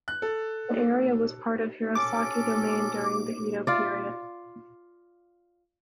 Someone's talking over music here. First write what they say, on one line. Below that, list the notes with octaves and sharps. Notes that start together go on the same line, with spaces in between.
The area was part of Hirosaki Domain during the Edo period.
F#6
A4
C#4 A4 D6
F4 D5